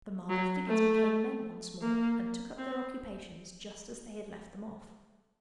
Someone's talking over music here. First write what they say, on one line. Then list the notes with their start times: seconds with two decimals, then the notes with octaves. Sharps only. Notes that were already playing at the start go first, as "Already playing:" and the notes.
The marble figures became men once more, and took up their occupations just as they had left them off.
0.29 F#3
0.67 A3
1.81 A#3
2.58 C4